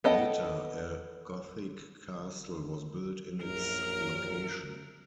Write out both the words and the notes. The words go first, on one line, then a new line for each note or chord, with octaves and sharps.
Later a Gothic castle was built in its location.
B3 A4 D#5 F#5 G5
A#1 F#2 A#4